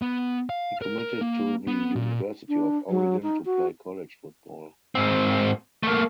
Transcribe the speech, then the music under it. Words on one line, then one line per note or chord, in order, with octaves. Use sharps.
He committed to the University of Oregon to play college football.
B3
F5
A#4
A#4
A#3
B3
A#2
D4
F#3
D#4
F#4
G#2 C4
A3 A#3